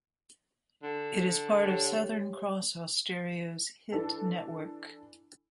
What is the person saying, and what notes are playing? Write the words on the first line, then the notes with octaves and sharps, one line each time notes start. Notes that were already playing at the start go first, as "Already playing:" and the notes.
It is part of Southern Cross Austereo's Hit Network.
D3
G4 C#5
E3 D4 A4